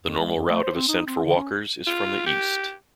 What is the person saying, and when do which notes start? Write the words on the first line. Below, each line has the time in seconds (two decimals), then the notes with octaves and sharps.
The normal route of ascent for walkers is from the east.
0.04 F2
0.18 G#3
0.36 F2
0.50 A3
0.63 C5
0.76 C4
0.89 D#4
1.07 C4
1.24 D3
1.36 C#4
1.87 F4
2.26 G4